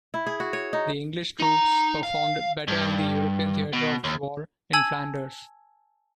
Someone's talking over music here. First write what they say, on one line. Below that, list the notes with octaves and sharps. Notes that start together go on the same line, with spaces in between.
The English troops performed better in the European theatre of the war in Flanders.
E4
G#4
F#4
C#5
D#4
D#4 A#5
F5
G2
B2
D#2
G#5 A5 E6 G#6 F#7